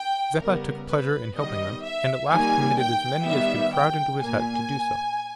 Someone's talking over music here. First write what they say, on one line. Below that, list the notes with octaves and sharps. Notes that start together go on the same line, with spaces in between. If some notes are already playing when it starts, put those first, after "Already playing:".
Zeppa took pleasure in helping them, and at last permitted as many as could crowd into his hut to do so.
Already playing: G5
C#3 G3 B3 A#4
B4
D#3 G3 B3 D#5
E5
D#3 G3 A#3 G#5
G5
D#3 G3 B3 E5
G5
A#2 A#3 G#5